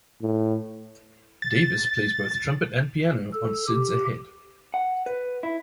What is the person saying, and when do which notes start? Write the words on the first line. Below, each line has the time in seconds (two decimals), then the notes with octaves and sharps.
Davis plays both trumpet and piano on "Sid's Ahead".
0.22 A2
1.42 A6
3.34 A4
3.68 G4
4.74 F#5
5.06 B4
5.43 E4